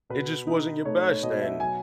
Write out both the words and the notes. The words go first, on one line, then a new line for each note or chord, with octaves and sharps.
it just wasn't your best. And
B2 B4
D#4
A3 C#5
C#5
B2 D#5
E5
F#3 G#5